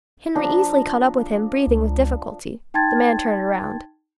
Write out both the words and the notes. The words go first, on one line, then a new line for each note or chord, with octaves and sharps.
Henry easily caught up with him, breathing with difficulty. The man turned around.
F3 D4 A#5
C#2
D#4 G5 A5 C6 G#6 A6